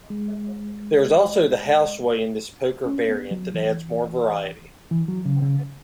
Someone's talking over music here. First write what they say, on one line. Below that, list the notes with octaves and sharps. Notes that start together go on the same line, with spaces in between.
There is also the "House Way" in this poker variant that adds more variety.
G#3
C#4
B3
F#3
E3
E3
F#3
C#3
C#3